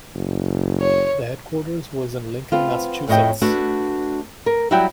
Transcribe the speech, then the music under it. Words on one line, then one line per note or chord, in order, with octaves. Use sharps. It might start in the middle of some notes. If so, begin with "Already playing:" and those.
The headquarters was in Lincoln, Massachusetts.
F#1
C#5
B3 C4 F4
F2 A2 C#5 D#5 E5 G5
A3 B3 D4 F#4
A#4
F#3 G3 E4 F#4 E5 G5